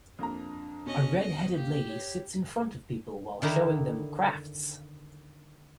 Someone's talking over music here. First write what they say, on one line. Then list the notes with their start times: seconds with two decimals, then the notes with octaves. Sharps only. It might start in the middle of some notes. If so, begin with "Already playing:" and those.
A redheaded lady sits in front of people while showing them crafts.
0.19 F2 A#3 D4 A#5
0.86 B2 C#4 D#5
1.20 D#5
1.54 A#3 G4
1.88 C#5
3.42 D3 D#3 E4 A#5 B5